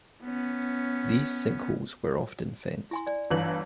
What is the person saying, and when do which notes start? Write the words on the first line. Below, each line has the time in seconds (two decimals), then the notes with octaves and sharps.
These sinkholes were often fenced.
0.24 B3 C#4
2.91 E4 G#5 C6
3.07 D5 G#5
3.31 G1 E3 F#7